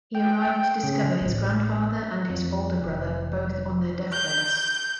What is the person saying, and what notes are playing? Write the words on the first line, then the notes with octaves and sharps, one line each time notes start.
He arrived to discover his grandfather and his older brother both on their deathbeds.
G5
C#3
A1
F2
F1
G6